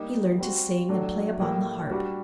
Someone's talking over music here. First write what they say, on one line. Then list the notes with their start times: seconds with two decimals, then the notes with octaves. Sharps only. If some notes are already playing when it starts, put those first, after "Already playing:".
He learned to sing, and play upon the harp.
Already playing: G3 A#3 D#4 G4
0.38 G3 C4 F#4
0.89 A2 F#3 A3 D4
1.40 A2 G3 A#3
1.91 G3 D4 F#4